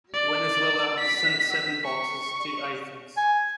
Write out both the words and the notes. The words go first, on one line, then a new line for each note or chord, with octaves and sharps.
Venezuela sent seven boxers to Athens.
D5
B6
C#6
G#5